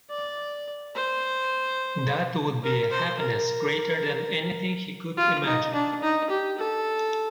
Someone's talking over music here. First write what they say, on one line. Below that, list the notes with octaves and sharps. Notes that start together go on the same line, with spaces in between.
That would be a happiness greater than anything he could imagine.
D5
C5
A#4
C5
A#4
F4
D#4
D4
D#4
G4
A4